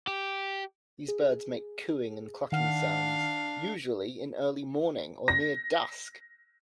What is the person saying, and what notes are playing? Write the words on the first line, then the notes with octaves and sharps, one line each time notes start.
These birds make cooing and clucking sounds, usually in early morning or near dusk.
G4
G#4
D#3 D4 F5 F#5 F6
A#6